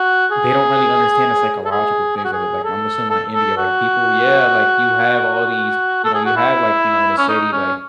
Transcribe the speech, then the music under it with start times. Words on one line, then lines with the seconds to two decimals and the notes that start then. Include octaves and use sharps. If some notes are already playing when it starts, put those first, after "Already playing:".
they don't really understand the psychological things of it. Like, I'm assuming like India, right, people yeah, like, you have all these you know, you have, like, you know, in a city, like,
Already playing: F#4
0.31 G#4
1.65 A4
1.71 G#4
2.17 G#4
2.25 F#4
2.33 G#4
2.64 A4
3.10 A4
3.34 A4
3.57 F#4
6.04 A4
6.15 G#4
6.25 F#4
6.36 E4
7.18 C#4
7.29 D#4
7.53 C#4